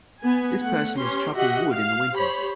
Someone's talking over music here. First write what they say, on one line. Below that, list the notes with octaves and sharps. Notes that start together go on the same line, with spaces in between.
This person is chopping wood in the winter.
B3 G#5
A3 F#5
C#4 G4 B4 C6
F#4 G4 D#5 E5 F#5
F5
G4 C5 C#5 B5